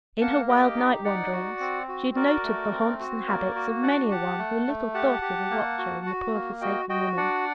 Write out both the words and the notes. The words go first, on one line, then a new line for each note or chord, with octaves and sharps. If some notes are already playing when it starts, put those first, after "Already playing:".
In her wild night wanderings, she had noted the haunts and habits of many a one who little thought of a watcher in the poor forsaken woman.
A#3 F#5 A5
G4 D#5 G5
D#4
D#4 D5 F#5
F#4
C4
F#4
F#4 A#4 D5
A3
C4
F#4
A#3 A#4 D5
F#4
D4 D5 F#5
G4 F#5 A5
A3
A3
G4 F#5 A5
G4
A#3
F#4
F#4
A#3
F#4 D#5 G5
F#4 D#5 G5
D4 D5 F#5